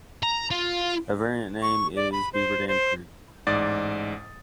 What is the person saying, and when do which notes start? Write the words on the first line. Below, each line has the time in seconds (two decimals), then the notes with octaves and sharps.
A variant name is Beaverdam Creek.
0.23 A#5
0.51 F4
1.62 C#6
1.96 D5
2.12 B5
2.33 C5
2.68 C5
3.47 A1 G#2 D5 D#6 A6